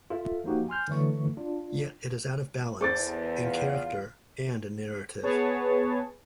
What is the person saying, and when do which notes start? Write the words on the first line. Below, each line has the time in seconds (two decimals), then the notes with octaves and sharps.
Yet it is out of balance, in character and in narrative.
0.10 F4 A4 E5
0.44 F3 A#3 D#4 F#4 G4
0.69 G#5 C6 F6 G6
0.88 D3 E3 F#3 A3 C#6
1.37 D4 F4
2.81 E2 A4 C5 D6 A6
3.41 F4
5.23 B3 G#4 B4 C#5 A5